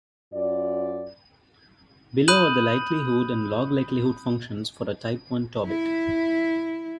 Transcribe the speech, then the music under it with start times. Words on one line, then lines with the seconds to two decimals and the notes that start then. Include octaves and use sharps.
Below are the likelihood and log likelihood functions for a type one Tobit.
0.34 F#2 F4 D5
2.28 B5 D#6 F#6 G6 D#7 F#7
5.66 E4